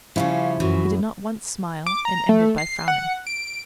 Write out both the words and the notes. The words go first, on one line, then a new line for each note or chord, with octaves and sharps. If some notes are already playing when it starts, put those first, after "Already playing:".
He did not once smile, and ended by frowning.
C#3 F3 G3 C#4 E4 F5
F#2 E3 F#4
D6
A#5
A3
C7
F#5
D7